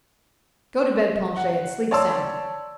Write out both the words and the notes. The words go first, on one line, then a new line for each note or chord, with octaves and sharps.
"Go to bed, Planchet, and sleep soundly."
F#5
C#5 D5 A5 C6 E6